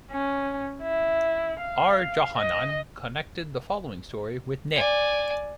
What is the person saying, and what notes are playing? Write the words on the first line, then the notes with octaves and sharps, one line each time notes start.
R. Johanan connected the following story with Neh.
C#4
E4
F5
D#5
D5 G#5